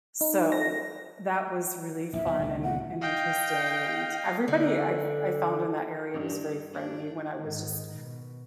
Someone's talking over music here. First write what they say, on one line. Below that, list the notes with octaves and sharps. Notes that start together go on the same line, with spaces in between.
So that was really fun and and interesting, and everybody I've I found in that area was very friendly when I was just
D#4
A#6
A#1 A2 E5
B1
D#1 C#2
F#5
D#5 F5 G5
D3
G2
D4
G#2 D#3
B2